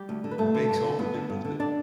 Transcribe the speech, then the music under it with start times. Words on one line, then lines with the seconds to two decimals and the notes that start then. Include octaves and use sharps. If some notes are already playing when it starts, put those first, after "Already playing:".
makes all the difference that
Already playing: G3 G4
0.09 D2
0.24 D3
0.31 B4
0.38 G2 A3 A4
0.54 D3
0.69 G2
0.84 D3
0.91 A4
0.99 G2 B3 B4
1.14 D3
1.30 G2
1.45 D3
1.60 D4 D5